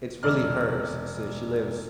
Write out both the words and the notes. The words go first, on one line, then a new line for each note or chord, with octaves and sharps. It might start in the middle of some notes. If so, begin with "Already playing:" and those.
it's really hers since she lives
E1 D5 F6